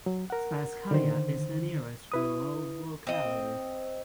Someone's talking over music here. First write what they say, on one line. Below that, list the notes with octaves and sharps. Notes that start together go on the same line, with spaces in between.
Spasskaya is the nearest rural locality.
F#3
A#4 F#5
D3 D#3 C5
E4 B4 D#6
C4 D#5